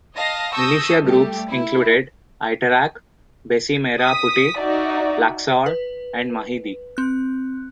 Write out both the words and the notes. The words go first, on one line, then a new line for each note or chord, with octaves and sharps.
Militia groups included Aitarak, Besi Merah Putih, Laksaur, and Mahidi.
D#5 F5 A5 A#6
A5 C#6 D#6 E6 G6 A#6
G3 A3 G4
E4
D#6 B6
D#4 F#4 D5 E5
B4
C4 F#6